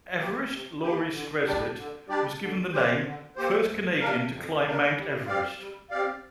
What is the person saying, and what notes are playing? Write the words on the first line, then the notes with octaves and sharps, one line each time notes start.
Everest Laurie Skreslet was given the name first Canadian to climb Mount Everest.
A#3 G4
C3
A#3 G4
D3
G3 D4 G4 D5
D3
G3 D4 G4 D5
D3
A#3 G4 C5
D3
A#3 G4 C5
F2
C3 A#3 D4 A#4
F2
C3 A#3 D4 A#4
G3
C4 G4 D5 F5
G3
C4 G4 D5 F5